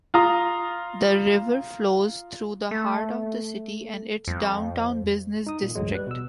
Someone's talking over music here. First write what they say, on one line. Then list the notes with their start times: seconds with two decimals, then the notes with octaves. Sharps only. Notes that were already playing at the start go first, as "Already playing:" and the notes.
The river flows through the heart of the city and its downtown business district.
0.14 F4 A#5 D#6
2.71 A3
4.28 F2
5.47 D#4 D#6
5.62 A#2
5.75 A1 D2 G2 F#3 G#3
5.92 G3 B4 F#6
6.07 B2 E6